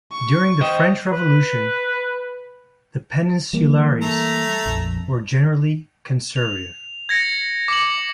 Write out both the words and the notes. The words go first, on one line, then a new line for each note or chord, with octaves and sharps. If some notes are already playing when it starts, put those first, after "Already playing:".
During the French Revolution, the "peninsulares" were generally conservative.
C#6
C5 D#5 G5
B4
E3 G3 A#3
A3 A#5
A#1 F2
F7
G#6 A#6 C#7
D6 C#7 F#7